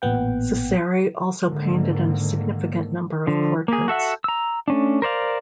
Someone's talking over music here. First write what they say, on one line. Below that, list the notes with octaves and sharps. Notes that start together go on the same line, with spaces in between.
Ciseri also painted a significant number of portraits.
A1 A#2 B3 F#5 G5
G#2 D3 D#3 A#3
D3 F3
A#3 G#4
F#4 A4 E5 F#5
A#5 E6
A3 C#4 D4
A#4 C5 D5 F5